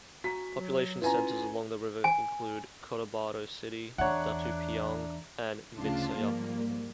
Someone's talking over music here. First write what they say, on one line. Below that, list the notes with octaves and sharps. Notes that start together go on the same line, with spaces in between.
Population centers along the river include Cotabato City, Datu Piang, and Midsayap.
F#4 G#5 A#5 B6
F#3
C#4 E4 F4 B4 G#5 A#5
G#5
E2 D4 C#5 E5 F#5 A#5
D2 C#3 F3 D4 F4 A5
G#2 F3 G3 A#3